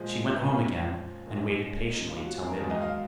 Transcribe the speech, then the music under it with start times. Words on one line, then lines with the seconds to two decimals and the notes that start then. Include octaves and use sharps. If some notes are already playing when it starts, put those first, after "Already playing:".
She went home again, and waited patiently till midnight.
Already playing: A#2 F3 G#3
0.25 C#5
0.35 B4
0.46 A#4
0.57 C#4
1.26 D#2 C#3 G#3
1.93 D#4
2.09 F4
2.25 F#4
2.37 G#4
2.48 A#4
2.59 G#2 D#3 F#3 G#4
2.70 D#5
2.82 F5